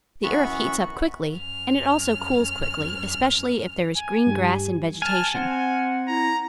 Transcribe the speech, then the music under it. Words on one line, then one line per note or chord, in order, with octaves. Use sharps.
The earth heats up quickly, and it also cools quickly, especially if there is green grass and vegetation.
F#2 E3 B3 F#4 B5 C#6
F#2 F6
G#5
G2 G4
G#5 A5 F6
C4 F#5 G#5
E4 A#5